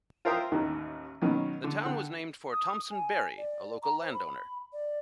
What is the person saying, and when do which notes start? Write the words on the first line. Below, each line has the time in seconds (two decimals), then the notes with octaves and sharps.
The town was named for Thompson Berry, a local landowner.
0.25 F4 A#4 C5 E5 G5 D#6
0.52 A1 D#2 D#3
1.22 B2 D#3 F#3 C#4
1.64 D3
1.81 D3 F#5 G5
2.51 D#6
2.90 G#5
3.37 D5
3.82 A#5
4.01 C5
4.14 B5
4.73 D5